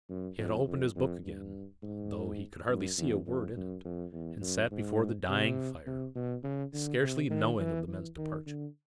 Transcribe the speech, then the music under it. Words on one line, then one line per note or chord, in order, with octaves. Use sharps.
He had opened his book again, though he could hardly see a word in it, and sat before the dying fire, scarcely knowing of the men's departure.
F#2
F2
F2
F2
G2
G#2
F#2
E2
F2
F#2
F2
E2
F#2
G#2
C3
C3
B2
C#3
D3
C3
D#3
E3
E3
D#3
D3